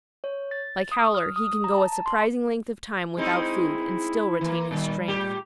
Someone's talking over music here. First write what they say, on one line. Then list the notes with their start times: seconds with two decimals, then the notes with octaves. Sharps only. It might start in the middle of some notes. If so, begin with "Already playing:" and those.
Like Howler he can go a surprising length of time without food and still retain his strength.
0.24 C#5
0.51 A6
0.92 D#6
1.15 F6
1.36 D#6
1.64 A#5
1.78 A5
1.92 A5
2.06 C6
3.17 G#3 C4 D#4 E4
4.41 E3 A#3
4.71 A#2 D#3 G3
5.08 A2 G4